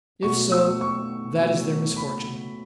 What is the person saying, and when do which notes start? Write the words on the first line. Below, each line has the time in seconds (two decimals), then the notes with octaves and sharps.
If so, that is their misfortune.
0.23 B2 F#3 A3 C#6
0.52 E6
0.81 C#6
1.38 B2 F#3 A3
1.97 B5